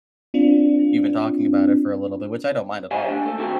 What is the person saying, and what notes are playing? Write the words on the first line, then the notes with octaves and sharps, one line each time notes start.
you've been talking about it for a little bit, which I don't mind at all.
C4 D4 F4
G4 C5 D#5 F5 G#5
A3 D4
A3 A4
D#3 C4 F#4 G4 A4 C5